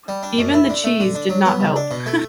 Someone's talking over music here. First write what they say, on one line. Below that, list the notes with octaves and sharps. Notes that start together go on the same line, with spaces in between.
Even the cheese did not help.
G3
D4
F#2
E4
D3
A3
D3
D4
F#3
B3
C#2
D4
B2
A3